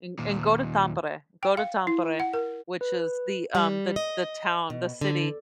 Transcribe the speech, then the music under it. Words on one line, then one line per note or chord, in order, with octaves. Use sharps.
And and go to Tampere, go to Tampere, which is the, um, the the town, the city
D#2 A#2
G5
F5
E4
F#5
A#4
B4
G3
D#5
B2
D3